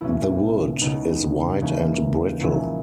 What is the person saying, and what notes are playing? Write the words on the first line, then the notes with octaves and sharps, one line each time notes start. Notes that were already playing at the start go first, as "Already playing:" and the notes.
The wood is white and brittle.
B1 B2 A#3 C#4 E4
C#2 C#3 G#3 B3 D#4
D#2 C#3 E3 A#3 C#4
A#1 A#2 G#3 C#4 E4